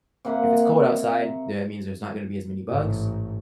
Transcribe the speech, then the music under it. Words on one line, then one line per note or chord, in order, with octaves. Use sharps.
if it's cold outside, that means there's not gonna be as many bugs.
C3 A#3 F#5 B5
A1 G#2